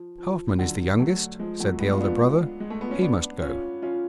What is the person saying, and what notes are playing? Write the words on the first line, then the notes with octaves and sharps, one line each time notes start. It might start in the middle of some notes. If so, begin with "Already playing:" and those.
'Halfman is the youngest,' said the elder brother, 'he must go.'
Already playing: F3
F3
D3 F#3
F#3 A3
F3 G#3
F#3 A3
G#3 B3
F4
B3 D4
G#3
A3
B3
C#4
B3 D4
C#4 F4
C#4 F4